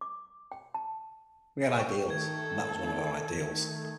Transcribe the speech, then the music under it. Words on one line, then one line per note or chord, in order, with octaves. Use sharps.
We had ideals, and that was one of our ideals.
D6
G5
A5
G5 C#6
D#3 A3 A4 G#6